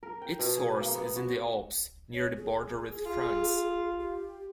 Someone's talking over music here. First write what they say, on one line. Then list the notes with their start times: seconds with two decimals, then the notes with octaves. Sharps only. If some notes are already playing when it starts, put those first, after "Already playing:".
Its source is in the Alps, near the border with France.
0.03 A#4
0.22 G5
0.39 B2
0.57 G#4
0.81 A#3
0.95 B3
1.16 F#4
1.29 C#5
2.14 C#5
2.36 G#4
3.06 F4
3.98 G4